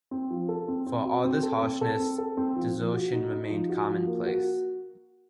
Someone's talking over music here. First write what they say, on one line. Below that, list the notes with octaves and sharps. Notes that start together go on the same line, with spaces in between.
For all this harshness, desertion remained commonplace.
C4
F3
A4
C4
C4
F#4
C4
A4
C4
A4
C4
A4
C4
F3
F3
F#4
D#4
D#4
F3
F#4
F3
A#3
F#4